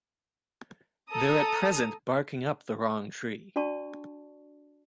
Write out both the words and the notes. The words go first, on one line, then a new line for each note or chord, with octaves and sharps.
They're at present barking up the wrong tree.
A4 A#5 D#6
D4 F#4 D5 A5 C#6